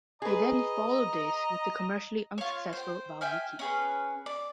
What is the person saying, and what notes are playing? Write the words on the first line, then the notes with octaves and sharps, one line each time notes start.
They then followed this with the commercially unsuccessful Valmiki.
G#4 B4 D#5 A#5
F4 C#5
C5 G5
E5 G5 G#5 F6
C#4 G#4 B4
D5